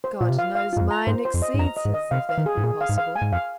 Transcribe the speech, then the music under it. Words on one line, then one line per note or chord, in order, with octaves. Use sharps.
'God knows mine exceeds his, if that be possible.
C5
A#2 F4
C3
F5
F5
G#2 F4
F2
A#5
G#2 C5
C5
F2
D#5
G#2
F2 A#5
D#5
G#2
D#5
C3 F5
F5
D#3
G#4
G#2
A#2 G#4
F5
G#2
F5
G#5
G#2
F2 F5